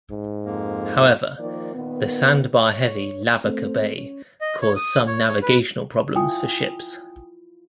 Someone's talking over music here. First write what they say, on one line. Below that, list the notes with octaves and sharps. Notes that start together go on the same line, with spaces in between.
However, the sandbar-heavy Lavaca Bay caused some navigational problems for ships.
G#2
F2 A#3
D#3 F3 A#3 D5
A#2 D#3 B3
C#5
A3 C4
C#4
D#5
C#5
D#6
C#5
C#5
B4
E4 F4 G5 G#5 D#6